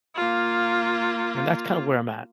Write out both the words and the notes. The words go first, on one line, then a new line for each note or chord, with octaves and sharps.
and that's kind of where I'm at.
A#3 F4